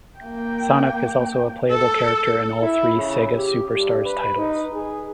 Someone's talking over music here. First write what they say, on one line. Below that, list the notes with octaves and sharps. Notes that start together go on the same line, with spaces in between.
Sonic is also a playable character in all three "Sega Superstars" titles.
A#3 G5
A4
E4
C#3
G4
G2
B4
D#4
G#4